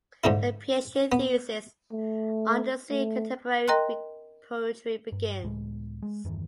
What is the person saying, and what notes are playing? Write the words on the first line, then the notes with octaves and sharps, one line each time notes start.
A PhD thesis on "The Sea in Contemporary Greek Poetry" begins.
G#2 D3 A#3 E4
B3
A3
A3
A#4 D#5 G5 A#5 C6 F#6
G2
C#2 A2 G#3
G#3
E2 G2 D#3 E3